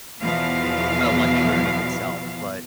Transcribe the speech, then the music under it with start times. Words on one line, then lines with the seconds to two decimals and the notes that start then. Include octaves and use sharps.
a lecture in of itself, but
0.21 E2 B2 E3 F3 F5